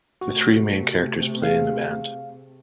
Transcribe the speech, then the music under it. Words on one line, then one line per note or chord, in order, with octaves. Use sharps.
The three main characters play in a band.
C3 A3 F#4
G#4 F5